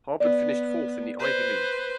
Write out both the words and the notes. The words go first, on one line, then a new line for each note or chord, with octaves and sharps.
Harvard finished fourth in the Ivy League.
B3 D5
B4 C5